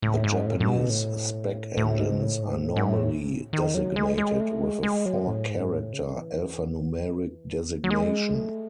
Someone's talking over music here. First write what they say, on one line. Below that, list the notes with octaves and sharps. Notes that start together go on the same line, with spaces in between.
The Japanese spec-engines are normally designated with a four character alphanumeric designation.
A2
G#2
A2
A2
B2
A2
A2
G#2
A2
G#2
A2
G#2
A2
D#3
F#3
G#3
G#3
A3
G#3
G#3
F#3
A2
G#2
A2
C#3
E3
F#3
G#3
A3